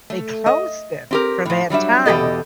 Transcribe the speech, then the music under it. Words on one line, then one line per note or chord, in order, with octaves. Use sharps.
they closed it for that time.
A3
D#5
C4 G4 A#4
A2 F3
F#3 G3 D4 E5
E2 B2 G4 A4 D#5